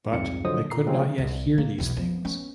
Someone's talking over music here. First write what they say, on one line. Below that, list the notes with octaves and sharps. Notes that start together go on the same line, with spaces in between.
But they could not yet hear these things.
C2 F2 G#2 C#7
D3 F3 F#3 C5 D#5 D#6
A#2 A#5 C7
C3 F3 G#3 A#3 C4 C#4
C2
A#3
B1 E2
F3 B3
B3 C#4